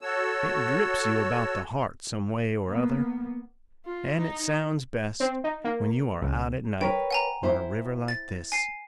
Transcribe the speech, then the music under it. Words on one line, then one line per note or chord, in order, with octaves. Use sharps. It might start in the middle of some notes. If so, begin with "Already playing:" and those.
It grips you about the heart some way or other, an' it sounds best when you are out at night on a river like this.
F#4 A4 C#5 E6
A#3 B3
F4
D#4
C4
D#4
A#3
C#2
A#4 B4 C#5 G5
F#5 G#5 A#5
E4 C5
A6
G#5 C7